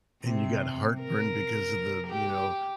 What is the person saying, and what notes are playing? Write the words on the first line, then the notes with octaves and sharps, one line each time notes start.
And you got heartburn because of the, you know,
C3
A#4
G4